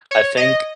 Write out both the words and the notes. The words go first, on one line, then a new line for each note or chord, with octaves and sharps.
I think
C#5
D#5